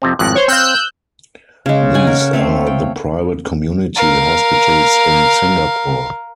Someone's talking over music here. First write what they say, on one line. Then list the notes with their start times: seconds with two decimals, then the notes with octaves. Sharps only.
These are the private community hospitals in Singapore.
0.02 F2 C3 C4
0.19 G#1 F2 A2 F#6
0.35 C5 C#5
0.48 C4 F5 E6 F#6 G6
1.66 C#3 G#3
1.94 C#5 F#5 G#5
2.07 A#4 G#5
2.33 A3 C4 C#5 F5
2.67 G5
3.96 A#4 F5